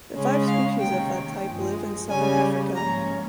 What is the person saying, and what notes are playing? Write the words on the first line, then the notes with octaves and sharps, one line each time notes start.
The five species of that type live in southern Africa.
C#3 G#3 C#4
F5
C3 D#3 A#3 C#4 G5
G5
G2 F3 G#3
C#3 G3 C#4 G#5
G#2 F3 A#3 C#4 A#5